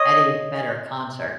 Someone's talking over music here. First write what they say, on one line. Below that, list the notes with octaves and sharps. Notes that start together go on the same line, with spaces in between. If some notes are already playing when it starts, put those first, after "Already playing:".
Eddie Vedder concert.
Already playing: C#5 D#5